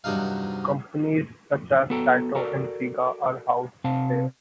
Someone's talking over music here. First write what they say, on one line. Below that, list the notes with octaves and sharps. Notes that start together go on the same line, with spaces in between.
Companies such as Taito and Sega are housed there.
E2 G2 C3 F#3 D#4 F5
B3 F#4 A4 G5 A#5
F#4 A4 A#4 D5
C3 C4 F5 A5